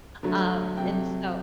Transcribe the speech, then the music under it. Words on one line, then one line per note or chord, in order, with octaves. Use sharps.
um, and so
D3 F#3 A3
C3 F#3 A3 G5